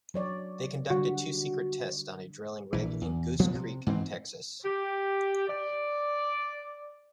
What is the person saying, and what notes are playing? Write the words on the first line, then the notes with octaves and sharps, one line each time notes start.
They conducted two secret tests on a drilling rig in Goose Creek, Texas.
F#3 C#5 D5
D3 G3 F#4
A#1 E3
E2
B1 F3 G3 B3
C3
G#2 E3 C4
G4
D5